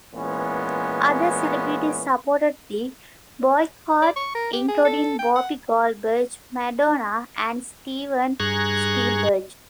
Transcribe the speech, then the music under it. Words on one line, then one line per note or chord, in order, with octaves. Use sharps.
Other celebrities supported the boycott including Whoopi Goldberg, Madonna, and Steven Spielberg.
A#2 E3 G#3 B3 C#4
D5
C#6
A#4
G4
G#4
A4
G5
F#5
G2 G#4 A#5 C#6 F#6 G#6